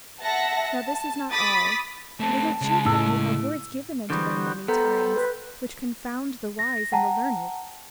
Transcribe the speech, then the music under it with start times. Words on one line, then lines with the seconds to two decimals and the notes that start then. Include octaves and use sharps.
Now this is not all; little children do have words given unto them many times which confound the wise and the learned.
0.21 E5 F#5 A5 A#6
0.64 A5
1.32 B5 D6 D#6 A6 B6
2.20 A3 C4 A5
2.61 C#3 G#3
2.85 A2 E6
4.10 D3 E3 G3 B3 F#4 C5
4.68 G3 B3 A4 C5 A#5
5.15 B4
6.59 A#6
6.92 F#5 G5 A5 A#5